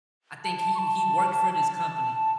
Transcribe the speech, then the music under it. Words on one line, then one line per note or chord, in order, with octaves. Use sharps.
I think he he worked for this company,
A5
C#6
A5